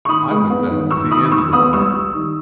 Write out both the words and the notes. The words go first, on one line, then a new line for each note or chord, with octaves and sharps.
I went down with the end of the wire.
C#6
D#3 B5 D#6
G#3
B3
D#3
D#3 C#6 E6
D#3 B5 D#6
D#3 C#6 E6
B3 B5 D#6
G3 C#6 E6
G3
D#3